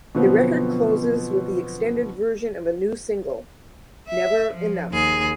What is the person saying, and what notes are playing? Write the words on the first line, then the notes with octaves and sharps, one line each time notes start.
The record closes with the extended version of a new single, "Never Enough".
B2 D3 F3 F#3 B3 C4
E5
F3
D#2 G#4